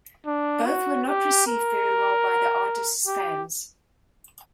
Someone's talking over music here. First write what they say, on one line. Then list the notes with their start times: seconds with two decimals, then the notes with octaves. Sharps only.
Both were not received very well by the artist's fans.
0.26 D4
0.66 F#4
1.07 G4
1.47 A#4
3.07 G4